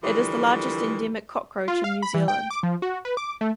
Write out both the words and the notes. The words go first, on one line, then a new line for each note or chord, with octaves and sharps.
It is the largest endemic cockroach in New Zealand.
D3 E3 F3 G3 E4 A#4
F4
F5
B5
E3
G5
D6
F3
F#4
B4
D6
A3